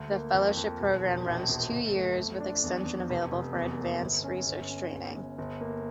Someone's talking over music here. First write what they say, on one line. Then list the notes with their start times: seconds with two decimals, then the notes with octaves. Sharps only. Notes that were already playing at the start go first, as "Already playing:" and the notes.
The fellowship program runs two years with extensions available for advanced research training.
Already playing: D2
0.11 A#3
0.34 F2
0.57 F2
0.80 E1
1.03 E1
1.26 A#1
1.49 A#1
1.71 G1
1.95 A3
2.18 F2
2.40 D4
2.64 E2
2.86 E2
3.10 F1
3.32 F1
3.55 E2
3.78 A#3
4.00 G1
4.24 C#4
4.46 G1
4.70 C#4
4.92 G1
5.15 G1
5.38 G1
5.61 A#3